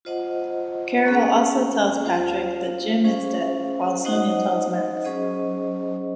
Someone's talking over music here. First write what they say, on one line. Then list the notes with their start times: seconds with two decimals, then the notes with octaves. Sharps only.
Carol also tells Patrick that Jim is dead, while Sonia tells Max.
0.05 F4 C5 D#5 F#5
1.05 A#3 C#4 G#4
2.05 F4 C5 F5
3.04 C#4 G#4 C5 F5
4.05 D#4 F#4 C5 D#5 F#5
5.05 F#3 C#4 G#4 C5 D#5